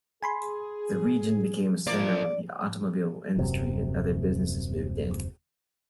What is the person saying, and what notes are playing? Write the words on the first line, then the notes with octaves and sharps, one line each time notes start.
The region became a centre of the automobile industry, and other businesses moved in.
G#4 G#5 B5 C6
F3 A#3 D5
D#1 F#2 C3